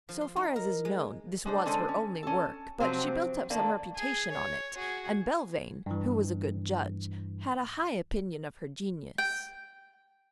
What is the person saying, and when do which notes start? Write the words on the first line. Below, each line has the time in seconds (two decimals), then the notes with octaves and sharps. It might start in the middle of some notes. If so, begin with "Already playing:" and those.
So far as is known, this was her only work, but she built up some reputation on it, and Belvane, who was a good judge, had a high opinion of her genius.
0.09 F3
0.21 C6
0.36 D#4
0.56 A#4
0.85 G#3
1.46 G#3 D4 C5
1.65 D3 G#3 C#4 A4 C5
1.88 C#4
2.23 C#4 A4
2.80 C3 F3 F#3 C4 C5
3.50 D3 D#3 A3 A#3 D4
3.96 G#4
4.32 C#5
4.75 F#4 G#4
5.86 G2 E3
9.18 G5